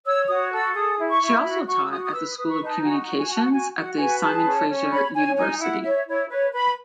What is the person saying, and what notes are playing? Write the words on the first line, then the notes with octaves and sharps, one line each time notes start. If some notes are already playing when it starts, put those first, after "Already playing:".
She also taught at the School of Communications at the Simon Fraser University.
C#5 E6
F#4 D#6
A4 E6
G#4 D#6
E4
C#6
E4
F#4 B5
F#4 C#6
E6
F#4 D#6
D#6
B4 E6
D#6
B4
C#6
D#4
A5
F#4 G#5
F#4 F#5
G#5
F#4
A5
F#5
F#4 G#5
F#4 F#5
B4 G#5
G#4 A5
C#4
C#4
C#5 B5
C#5 G#5
D#4 G#5
E4 F#5
C#5 E5
E4 C#5
B4 C#5
B4 B5